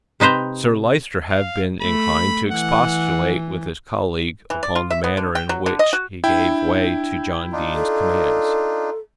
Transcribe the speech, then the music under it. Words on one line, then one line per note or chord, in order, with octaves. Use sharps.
Sir Lyster had been inclined to expostulate with his colleague upon the manner in which he gave way to John Dene's demands.
C3 D#4 B4 C5 A#5
F5
A3 B5
E3 F#5
E3
D5
F4
E5
B3
D3
G5
F#3
D3
D#5
F#4
D4 E4 G5
D4 D#4 F4
A4